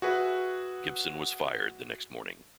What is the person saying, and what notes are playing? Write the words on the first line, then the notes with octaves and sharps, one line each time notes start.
Gibson was fired the next morning.
F#4 G#4 B4 E5